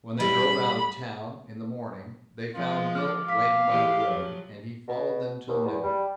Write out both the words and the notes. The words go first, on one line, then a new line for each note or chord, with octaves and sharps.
When they drove out of town, in the morning, they found Milt waiting by the road, and he followed them till noon.
A2 G3 B5
F3 G#3 F4
D6 F6
F5 D6 B6
E3 G#3 G4
F3 F#3
B2
D#2
E2
G3